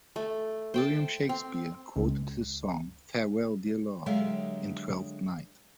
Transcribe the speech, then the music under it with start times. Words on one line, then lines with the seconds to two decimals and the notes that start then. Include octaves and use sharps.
William Shakespeare quoted his song, 'Farewell, dear love', in Twelfth Night.
0.16 A3
0.74 C5 G5 A5
1.29 C4
1.96 C#2
4.06 D3 F#3 G#3 G4 E5 F5